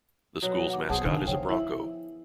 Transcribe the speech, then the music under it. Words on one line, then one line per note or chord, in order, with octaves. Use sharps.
The school's mascot is a Bronco.
B2 F#3
F#5 D6
B1 B3 G#4 C5 F#5 G#5 A5
D3 D#3 F5
F3 C5 C#5 G5
E4 E5